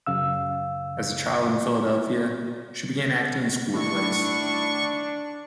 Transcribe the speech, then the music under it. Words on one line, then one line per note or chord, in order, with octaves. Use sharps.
As a child in Philadelphia, she began acting in school plays.
F#2 C#3 F5 E6
A2 D#3 D4 E4 C#6